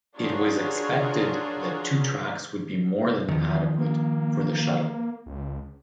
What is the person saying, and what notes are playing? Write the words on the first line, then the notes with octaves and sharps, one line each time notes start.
It was expected that two tracks would be more than adequate for the shuttle.
D4 F4 F#4 G#4 A#4 C#5
E2 D#3 F3
A#3
C#2